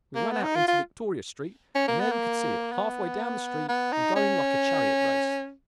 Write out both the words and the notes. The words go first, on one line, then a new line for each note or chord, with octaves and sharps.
We ran out into Victoria Street, and there we could see it half-way down the street and going like a chariot race.
A#3
B3
D#4
F4
F4
C#4
A#3
B3
A#3
B3
B3
D#4
C#4